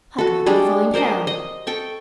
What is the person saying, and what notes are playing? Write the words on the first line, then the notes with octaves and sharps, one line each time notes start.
I'd rather find hell!
F#4 A4
G3 G#3 D4
A#4 C5 D5 D#5
D#5
A4 G5 C#6